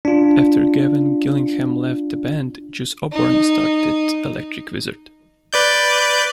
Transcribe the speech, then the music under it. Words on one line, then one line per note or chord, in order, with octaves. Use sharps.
After Gavin Gillingham left the band, Jus Oborn started Electric Wizard.
D4 F4
D#4
B4 D5 G6